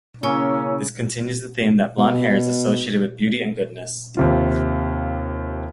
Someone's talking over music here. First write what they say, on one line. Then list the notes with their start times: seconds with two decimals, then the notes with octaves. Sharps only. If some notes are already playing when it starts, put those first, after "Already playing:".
This continues the theme that blond hair is associated with beauty and goodness.
0.23 C#3 A#3 C#4 E4 C#5 E6
1.98 B2
4.17 D#2 C3 F4